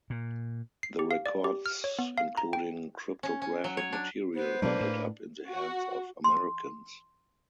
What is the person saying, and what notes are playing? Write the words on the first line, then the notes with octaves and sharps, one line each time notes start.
The records, including cryptographic material, ended up in the hands of Americans.
A#2
C7
G4
F5
D5
G4
F6
C#5
B3
F5
A#5
G5
C#4
C#4
F#3
C#5
D4
B3 C5
B2 F#3 G#3 A#3 D4 B4 D5
A2
F#4
C6